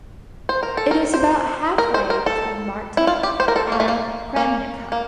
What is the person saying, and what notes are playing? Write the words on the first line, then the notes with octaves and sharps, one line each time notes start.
It is about halfway between Martin and Kremnica.
C5
A#4
A4
A#4
C5
A#4
C5
A#4
A4
E4
F4
G4
C5
A#4
A4
A#3
A3
A#3
A#3
A#3